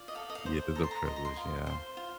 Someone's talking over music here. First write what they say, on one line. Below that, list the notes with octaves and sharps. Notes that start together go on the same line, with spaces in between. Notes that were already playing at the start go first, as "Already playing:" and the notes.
It is a privilege, yeah.
Already playing: F4 D5
D#5
A4 F5
D#5
F5
C5
A4 A#5
C6
A#5
D#5 C6
A#5
C6
F4 C6
C5 C6
F4